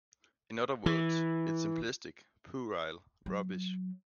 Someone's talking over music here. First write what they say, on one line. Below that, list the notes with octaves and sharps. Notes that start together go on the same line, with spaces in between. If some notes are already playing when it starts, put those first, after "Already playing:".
In other words, it's simplistic, puerile rubbish.
E3
F#3